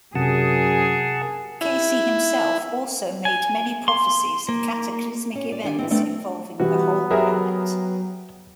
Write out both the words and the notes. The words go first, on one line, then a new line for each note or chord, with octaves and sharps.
Cayce himself also made many prophecies of cataclysmic events involving the whole planet.
F#2 C3 G#4 F#5 A5
E4
G#5
C6
A#3
C#4
D5
D#3 D4 E5 G#5
E3 B3 C4
G3 A3 B3 C4 D4
E3 G3 B3 F#4
F#3 G4 G#4 A#4 E5 A#5